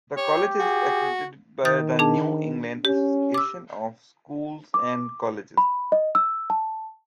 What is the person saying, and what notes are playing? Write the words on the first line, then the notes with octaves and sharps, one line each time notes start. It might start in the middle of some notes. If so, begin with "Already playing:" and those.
The college is accredited by the New England Association of Schools and Colleges.
G4 C#5
F#4 G#4
D#3 D#6 G6 A6
D4 G#4 A5
C#4 G4
D6 E6
D6
B5
D#5
E6
A5